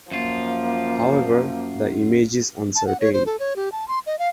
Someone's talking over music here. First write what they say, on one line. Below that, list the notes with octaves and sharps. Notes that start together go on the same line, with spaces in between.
However, the image is uncertain.
F#2 F3 A#3 F4
A5
F#5
C#5
C5
A4
C#5
G4
A5
C6
D#5
F5